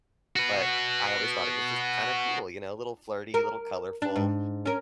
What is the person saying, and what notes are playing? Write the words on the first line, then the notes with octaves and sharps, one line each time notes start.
but I always thought it was just kinda cool, you know, a little flirty, a little colorful,
F#4 B4
A#4
D4
G#2
C#4 A#4